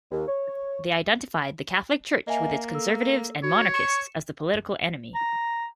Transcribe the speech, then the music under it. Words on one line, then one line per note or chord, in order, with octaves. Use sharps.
They identified the Catholic Church, with its conservatives and monarchists, as the political enemy.
D#2
C#5
A#3 D#5 E5 G#5
A4 E6
F#4 C#5
C#6 C#7 E7
A#5